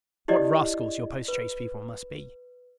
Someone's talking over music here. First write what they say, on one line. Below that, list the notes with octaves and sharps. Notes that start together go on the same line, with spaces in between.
What rascals your post-chaise people must be!
E4 G4 D5 D#5
B4